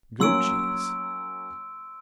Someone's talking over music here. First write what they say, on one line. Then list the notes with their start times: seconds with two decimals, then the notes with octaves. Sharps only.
Goat cheese.
0.20 F#3 A#3 C#4 C6 E6 D7